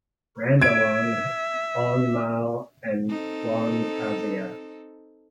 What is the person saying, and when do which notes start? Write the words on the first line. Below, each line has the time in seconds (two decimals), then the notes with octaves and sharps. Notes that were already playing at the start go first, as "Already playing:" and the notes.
Randulang, Long Mio and Long Pasia.
0.62 E5 G#6 D7
3.08 C4 D#4 A4